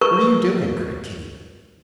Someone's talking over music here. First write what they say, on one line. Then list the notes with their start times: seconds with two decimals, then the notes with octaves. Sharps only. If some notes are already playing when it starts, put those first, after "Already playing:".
"What are you doing?" cried Kitty.
0.01 A#4 B4 C#6